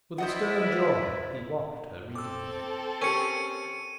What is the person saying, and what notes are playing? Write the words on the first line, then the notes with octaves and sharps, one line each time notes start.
With a stern joy he watched her reading it.
E4 B4 C5 D5 D#5 F#5
C4 A4 D6 E6
C#4 G4 A#4 C#7 D#7